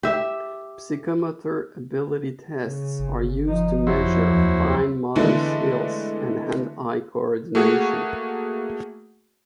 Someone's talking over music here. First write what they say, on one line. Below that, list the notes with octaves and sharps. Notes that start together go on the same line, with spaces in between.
Psychomotor-ability tests are used to measure fine motor skills and hand-eye coordination.
G4 E5
C#3
G1
F3 D#4
F2 F3 F#3 E4 C5
D#2
D3 E3 G#3 A3 B3 D4
A3 A#3 F#4 G#4 F#5